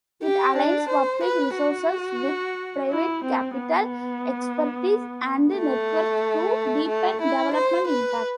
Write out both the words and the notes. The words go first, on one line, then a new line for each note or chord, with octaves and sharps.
It aligns public resources with private capital, expertise and networks to deepen development impact.
G4
D4
C5
B4
F#4
E4
C4
B3
A3
A3
E4
C5
B4